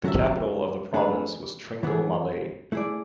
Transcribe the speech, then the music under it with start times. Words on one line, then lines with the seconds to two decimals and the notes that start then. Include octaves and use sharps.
The capital of the province was Trincomalee.
0.04 F#3 C#4 F#4 A4 E5
0.94 A3 D4 G#4 B4
1.83 E3 B3 E4 G#4
2.72 A3 E4 G#4 D5